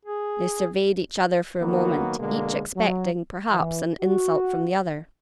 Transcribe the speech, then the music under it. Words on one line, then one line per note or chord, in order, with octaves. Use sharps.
They surveyed each other for a moment; each expecting, perhaps, an insult from the other.
G#4
D#3 F#3 A#3 B3 F#4
B2 D3 G#3 A#3
F#3
E3
F#4